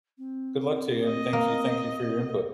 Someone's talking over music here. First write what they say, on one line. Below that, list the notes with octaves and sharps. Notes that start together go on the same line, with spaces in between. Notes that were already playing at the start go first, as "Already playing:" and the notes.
good luck to you, and thanks you thank you for your input.
C4
D#5
A#3